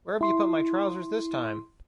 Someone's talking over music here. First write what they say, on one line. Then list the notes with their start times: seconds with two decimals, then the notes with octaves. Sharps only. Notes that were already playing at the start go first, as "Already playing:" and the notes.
Where've you put my trousers this time?
0.21 E4 C6